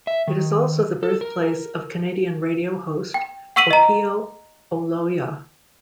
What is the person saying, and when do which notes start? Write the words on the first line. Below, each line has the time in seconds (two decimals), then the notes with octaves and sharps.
It is also the birthplace of Canadian radio host Opiyo Oloya.
0.07 E5
0.28 D#3
1.03 A4
1.21 A#4
3.14 G5
3.56 F#5 C#6 E6 B6 D#7 F#7
3.71 D#5 A#5